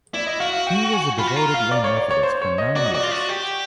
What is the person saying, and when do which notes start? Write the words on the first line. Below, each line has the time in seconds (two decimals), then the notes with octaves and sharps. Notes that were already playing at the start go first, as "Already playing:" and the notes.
He was a devoted lay Methodist for nine years.
0.14 E4 D5
0.26 D#5
0.40 F#4 F5
0.53 F5
0.67 G5
0.93 G#5
1.18 F4 B5
1.27 F#4
1.36 F4 A#5
1.54 F5
1.71 D5
1.84 C#5
1.97 D5
2.11 C#5
2.23 C5
2.42 C#5
2.58 D#5
2.76 F#4 D5
2.85 D#5
2.94 F#4 D5
3.03 F4
3.12 F#4
3.29 G4